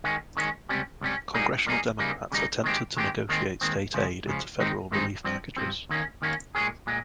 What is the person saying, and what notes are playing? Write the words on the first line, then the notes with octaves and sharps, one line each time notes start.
Congressional Democrats attempted to negotiate state aid into federal relief packages.
D#3 G#3 C#4
D#3 G#3 C#4
C#2 C3 G3 C#4
C#2 C3 G3 C#4
A#2 G3 A#3 D#4 G#4
A#2 G3 A#3 D#4 G#4
C#3 G3 A#3 D#4
C#3 G3 A#3 D#4
D#3 G#3 C4 G4
D#3 G#3 C4 G4
D#2 D#3 G#3 C4
D#2 D#3 G#3 C4
C#2 C#3 F3
C#2 C#3 F3
G#2 D#3 G#3 C4 D#4
G#2 D#3 G#3 C4 D#4
G2 F3 C4
G2 F3 C4
D#2 D#3 A#3 C#4
D#2 D#3 A#3 C#4
A#2 G#3 C#4 G#4
A#2 G#3